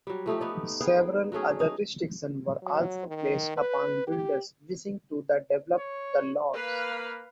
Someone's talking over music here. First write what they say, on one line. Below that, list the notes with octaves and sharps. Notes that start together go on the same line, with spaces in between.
Several other restrictions were also placed upon builders wishing to develop the lots.
F#3 G3
F3 A3 D#4 G4
B3 D#4 D5
B3 G#4 F5 G5
F#3 A3 C#4 G#4
D#4
F#3
D#3
B4
G4
C#5
A#3 B4 F5